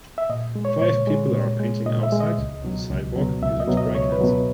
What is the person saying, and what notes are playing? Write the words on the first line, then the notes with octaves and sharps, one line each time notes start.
Five people are painting outside on the sidewalk using spray cans.
E5
A#2 D#5
G#3
C#5
A#2 C#5
G#3
A#2
G#3
A#2 D#5
E5
G#3
D#5
C#2
B2 F#3
C#2
B2 F#3
C#2 E5
D#5
B2 F#3
D#5
C#2 C#5
B4
B2 F#3
B4